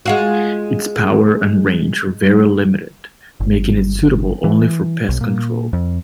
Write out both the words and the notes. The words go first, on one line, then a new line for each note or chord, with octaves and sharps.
Its power and range are very limited, making it suitable only for pest control.
G#3 F4 F#4
G1
E3
B1
A#2
F2